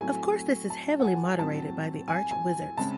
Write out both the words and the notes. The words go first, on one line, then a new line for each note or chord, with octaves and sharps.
Of course this is heavily moderated by the Arch Wizards.
A2 F#3 A3 C4 G#5
A5
F#5
G#5
A2 F#3 C4 A5
G#5
G#5
C#3 G#3 C4 A5